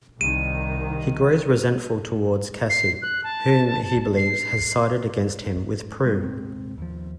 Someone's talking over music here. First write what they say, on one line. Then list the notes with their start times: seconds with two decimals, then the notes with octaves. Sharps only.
He grows resentful towards Cassie, whom he believes has sided against him with Prue.
0.21 C2 D#3 D#7
2.70 C7
3.02 F#6
3.24 A5
4.17 C7
6.06 G3 B3
6.22 D#1 G#2 C3 C4
6.78 D#2 F3